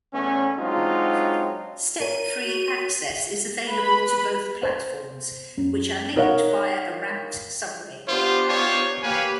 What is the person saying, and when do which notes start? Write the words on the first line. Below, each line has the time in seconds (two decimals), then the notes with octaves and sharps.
Step-free access is available to both platforms, which are linked via a ramped subway.
0.14 E2 A3 B3 C#4
0.58 F#3 G#3 C4 D4 D#4 F4
2.00 A#4 C#5 D#7
2.44 F#4
3.70 B4 B5
4.63 C5
5.57 F#2
6.16 D#4 A#4 C#5 F5 F#5
8.08 B3 D4 F4 G4 C5
8.49 D#4 F4 C#5
9.03 A#3 G4 B4 C#5 F5 G#5